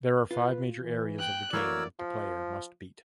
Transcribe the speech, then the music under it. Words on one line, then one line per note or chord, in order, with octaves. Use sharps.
There are five major areas of the game that the player must beat.
F4 B4
E3
G5 F#6
E3 A3 A#3 F#4 A#4 C#5 D5 E6
F3